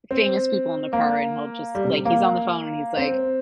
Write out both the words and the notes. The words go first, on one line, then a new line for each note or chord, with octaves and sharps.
famous people in the car, and he'll just like, he's on the phone, and he's like
C4
A#3
G3
C3
A#3
C4